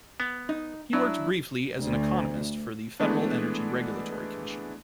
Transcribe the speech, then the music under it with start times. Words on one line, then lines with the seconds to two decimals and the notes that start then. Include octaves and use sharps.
He worked briefly as an economist for the Federal Energy Regulatory Commission.
0.20 B3
0.49 D#4
0.93 F#3 D4 E4
1.77 D2
3.00 E3 G#3 A3 B3 D4